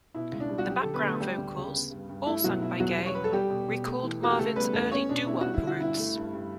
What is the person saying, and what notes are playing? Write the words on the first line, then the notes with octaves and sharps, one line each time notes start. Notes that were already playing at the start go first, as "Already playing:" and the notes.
The background vocals, all sung by Gaye, recalled Marvin's early doo-wop roots.
B2 E4
C#2
D4
G3
F#4
F#3 G4
D3 A4
B3 B4
D3 A3 A4
G3 G4
D2
C#3
B3
G2
G2
A3 E4
B2 F#3 F#4
B2 E4
E2 F#3 F#4
G3
C#5
G3 B4
A4
G3 G4
B2
B2
A3
E3
A3 F#4
G4
C#3 A3 A4
G3 B3 B4
E2 A3 A4
B3 C#4 C#5
B2 D4
B3 E4
G3 F#4
E4
D3 F#4
G2 E4
A3
G2
G2